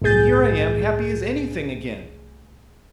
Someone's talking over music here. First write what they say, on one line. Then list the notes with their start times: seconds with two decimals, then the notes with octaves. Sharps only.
And here I am happy as anything again.
0.02 G1 C2 A2 G#4 G6 A6